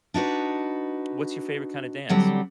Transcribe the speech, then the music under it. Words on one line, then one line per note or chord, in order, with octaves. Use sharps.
what's your favorite kind of dance?
D4 D#4 F#4 B4
D3 F#3 G3 C4